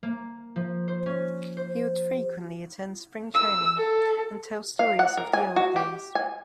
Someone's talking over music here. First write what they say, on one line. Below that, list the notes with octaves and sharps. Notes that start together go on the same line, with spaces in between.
He would frequently attend Spring training and tell stories of the old days.
A#3
F3
C5
C#4
C5
E6
A4
F5
F#5
A#4
G#5
F#4
G4
G#5